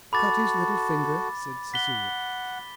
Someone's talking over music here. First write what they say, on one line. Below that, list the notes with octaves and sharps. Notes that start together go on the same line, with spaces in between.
"Cut his little finger," said Cecilia.
F#4 A4 B5 D6 A6
F#5 B6 G7